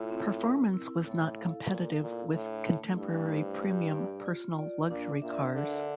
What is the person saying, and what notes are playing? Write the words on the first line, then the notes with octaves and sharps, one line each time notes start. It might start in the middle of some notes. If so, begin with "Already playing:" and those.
Performance was not competitive with contemporary premium personal luxury cars.
Already playing: A2 E4 F4
C4
A#4
E4
A2 A4
F5
A#2 A4
A#2 E4
A2 D4
A3
G2 E4
C5
G4
D5
F4
D5
A#2 D4
A#2 E5
D3 A#4